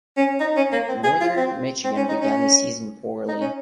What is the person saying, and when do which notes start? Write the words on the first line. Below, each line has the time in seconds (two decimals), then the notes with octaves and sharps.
Northern Michigan began the season poorly.
0.17 C#4
0.40 D#4
0.56 C#4
0.72 A#3
0.88 C4
1.04 G#4
1.21 F4
1.37 C4
1.84 C4
1.96 C#4
2.09 D#4
2.20 C#4
3.28 D#4
3.41 C#4